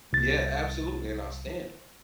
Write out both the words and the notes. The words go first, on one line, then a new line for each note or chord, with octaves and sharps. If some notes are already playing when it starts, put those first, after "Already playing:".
Yeah, absolutely, and I stand on 'em.
C2 A6